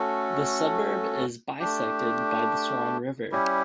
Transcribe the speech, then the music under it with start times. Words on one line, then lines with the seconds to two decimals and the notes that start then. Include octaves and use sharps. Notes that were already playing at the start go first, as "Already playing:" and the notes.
The suburb is bisected by the Swan River.
Already playing: A3 C#4 F#4 A4
1.60 A3 D4 G4
3.32 G3 C#4 E4 G4